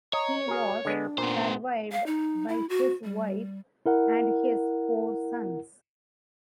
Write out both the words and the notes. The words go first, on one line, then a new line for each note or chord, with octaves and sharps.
He was survived by his wife and his four sons.
C#5 D#5 A#5
F#4 G#4 A#4
D3 G#3 B3 D4
A#2 B3 C5
F5
D#4
E4
F#4
G3
E4 A#4 F#5